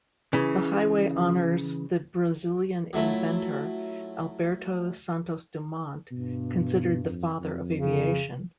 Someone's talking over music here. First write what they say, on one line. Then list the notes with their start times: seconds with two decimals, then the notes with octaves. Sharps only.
The highway honours the Brazilian inventor Alberto Santos-Dumont, considered the "father of aviation".
0.33 C#3 E3
2.93 F#3 A3 E4 F4
6.12 G2 B2
7.04 F2
7.40 F2
7.80 C#3